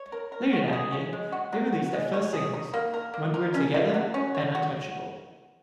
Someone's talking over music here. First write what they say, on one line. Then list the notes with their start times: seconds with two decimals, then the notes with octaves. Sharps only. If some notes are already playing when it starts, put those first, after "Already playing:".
Later that year they released their first singles, "When We're Together" and "Untouchable".
Already playing: C#5
0.12 A#4
0.32 A#4
0.53 F#4
0.73 G#4
0.92 C#4
1.13 G#3
1.32 F#4
1.53 F#3
1.72 F#4
1.94 G#3
2.14 C#5
2.33 G#4
2.53 D#4
2.74 A#3
2.94 A#4
3.14 A#3
3.34 A#4
3.54 C#4
3.74 A#3
3.94 F#3
4.14 C#4
4.35 C#5
4.55 F#4